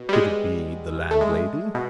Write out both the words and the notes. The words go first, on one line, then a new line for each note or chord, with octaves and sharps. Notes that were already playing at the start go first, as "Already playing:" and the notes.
Could it be the landlady?
Already playing: B2
G3
G#3
A3
G#3
B2